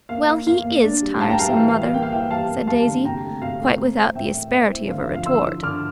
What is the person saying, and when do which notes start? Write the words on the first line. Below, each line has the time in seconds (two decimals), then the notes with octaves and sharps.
"Well, he IS tiresome, Mother," said Daisy, quite without the asperity of a retort.
0.09 A#3 F5
0.28 E4
0.47 A#3 F5
0.65 A#3
0.83 D4
1.02 G3
1.20 A2 F5 A5
1.30 G5 A#5
1.39 G3 F5 A5
1.48 E5 G5
1.57 E3 F5
1.69 F5
1.76 E4
1.82 F5
1.94 A#3 G5
2.02 F5
2.12 E3 E5 G5
2.30 G3 F5 A5
2.49 A#3
2.67 G3 F5 A5
2.86 D3
3.05 C3 G5 A#5
3.24 A3
3.42 C3 F5
3.60 A3
3.78 C4
3.97 C4
4.15 A2 E5 G5
4.34 A3
4.52 C4 E5
4.71 E4
4.89 D3 F5
5.02 E5
5.08 F3
5.14 F5
5.26 D3 C6 E6
5.45 E4
5.63 D3 D6 F6